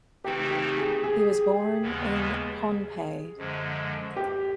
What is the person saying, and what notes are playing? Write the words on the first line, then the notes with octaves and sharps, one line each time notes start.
He was born in Pohnpei.
C#3 E3 A3 C4 D#4 G4
G4
G#4
G#4
D#2 C#3 E3 G#3 B3
F#2 D3 F3 G#3
G4